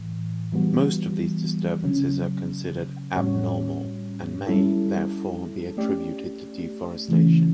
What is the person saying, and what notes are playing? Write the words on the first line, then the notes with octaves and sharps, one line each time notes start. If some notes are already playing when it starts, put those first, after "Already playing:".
Most of these disturbances are considered abnormal and may, therefore, be attributed to deforestation.
Already playing: A2 E3
E3 G3 B3 F#4
C#3 F#3 C#4
A2 G3 C#4 F#4 C#5
G3 C#4 E4 A4
A3 C#4 G4 D5
C#3 E3 A3 C#4